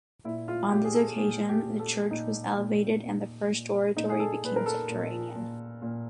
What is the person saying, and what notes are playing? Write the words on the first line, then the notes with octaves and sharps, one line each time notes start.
On this occasion, the church was elevated and the first oratory became subterranean.
A#2 E4
F4
A#2 G4
G#4
A4
A#2 G#4
G4
A#2
A4
A#2 D#4
A#2
A#2
A#2
A#2 D#4
G#4
A4
A#2 B4
A#4
A4
A#2
A#2
A#2